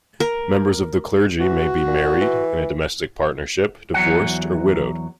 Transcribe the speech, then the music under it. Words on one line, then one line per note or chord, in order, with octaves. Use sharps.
Members of the clergy may be married, in a domestic partnership, divorced, or widowed.
A#4
E3 F#4
A#2
E3
E2 F#3 F#5